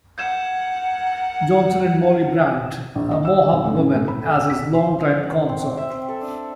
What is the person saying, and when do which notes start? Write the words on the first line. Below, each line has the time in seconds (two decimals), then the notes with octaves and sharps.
Johnson had Molly Brant, a Mohawk woman, as his longtime consort.
0.18 A#4 F#5 G6 G#6 E7
2.95 A#1
3.11 D#5
3.25 E6
3.39 D#5
3.53 B1
3.65 A2
3.77 C#4
3.93 A2
4.08 B5
4.21 A4
4.36 E6
4.50 B6
4.74 C5
4.99 F5
5.23 F#5
5.49 C4
5.62 G5
5.77 E5
5.90 C4
6.08 A4
6.21 D4